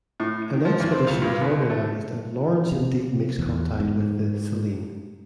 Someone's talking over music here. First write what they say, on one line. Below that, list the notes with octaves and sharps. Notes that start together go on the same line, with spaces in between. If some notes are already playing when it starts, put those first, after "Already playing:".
An expedition is organised and Lawrence indeed makes contact with the "Selene".
A2
D#3
F3
E2
C4
C#2
G2
D#2
A3
C3
E2
G#2